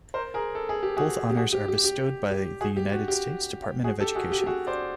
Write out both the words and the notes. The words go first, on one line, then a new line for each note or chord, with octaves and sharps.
Both honors are bestowed by the United States Department of Education.
A#4 C5
G#4 A#4
A4
G#4
G4
F#4 G#4
G4
F#4 G#4
G4
G4
G4
G4
F#4 G#4
G4
F#4
G4
F#4 G#4
G4 A4
F#4 G#4
G4
G4
F#4 G#4
C5 D5